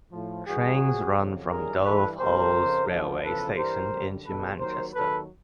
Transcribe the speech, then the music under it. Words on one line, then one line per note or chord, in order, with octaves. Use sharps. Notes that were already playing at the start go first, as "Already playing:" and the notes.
Trains run from Dove Holes railway station into Manchester.
A2 F3
G2 E3 G3 F#4 G#4
C#2 C3 F3
F2 C#3 F#3
F#2 D#3 G3 G#4 A#4
G2 E3 G3 A4 B4
E2 B2 G3 A#4 C5
F2 C#3 F3
D2 D3 F3
E2 C#3 F3 A4 B4
G2 E3 G3 A#4 C5
F#2 D3 G3
E2 B2 G3 A4 B4
D#2 D#3 F#3 A#4 C5
D#2 D#3 F#3 A4 B4